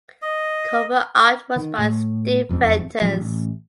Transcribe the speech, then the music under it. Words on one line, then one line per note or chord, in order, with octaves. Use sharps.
Cover art was by Steve Venters.
D#5
D#3
A2
E1 F2 G#2 C4
A1 F3 F#3 G#3
A1